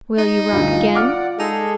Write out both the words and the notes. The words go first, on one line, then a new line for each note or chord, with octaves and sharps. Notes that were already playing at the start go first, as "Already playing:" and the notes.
"Will you rock again?"
D#4
D2 G2 F4
D5 F#5 D6 F6
G#3 D#4 G#4 A4